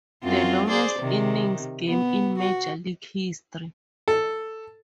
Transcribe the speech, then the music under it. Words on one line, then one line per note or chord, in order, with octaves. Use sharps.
The longest Innings game in Major League history.
F#2 C4 F4
G#4 C5 D5
C3 D#3
B3
F#4
A4